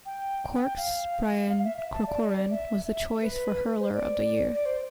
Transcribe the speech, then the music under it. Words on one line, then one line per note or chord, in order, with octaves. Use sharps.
Cork's Brian Corcoran was the choice for Hurler of the Year.
G5
G5
F5
F5
E5
E5
A5
D5
D5
E5
E5
B4
C5
D5
D5
C5